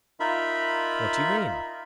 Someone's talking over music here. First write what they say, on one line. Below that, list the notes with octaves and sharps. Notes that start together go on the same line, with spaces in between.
"What do you mean?"
D#4 F4 A#4 E5 B5